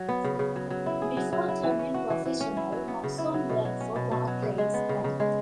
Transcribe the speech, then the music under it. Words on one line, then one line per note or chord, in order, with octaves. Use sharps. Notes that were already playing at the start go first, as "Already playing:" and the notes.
Before turning professional Moxon worked for Barclays Bank.
Already playing: F#3
B3
C#3
C#3
F#3
F#3
E4
G#4
F#3
F#3
E4
E3
C#4
F#4
E3
E3
C#4
E4
F#3
B3
C#3
E4
F#3
B2
F#3
C#4
B2
B2
F#3
C#3
G#3
B3
C#3
C#3
G#3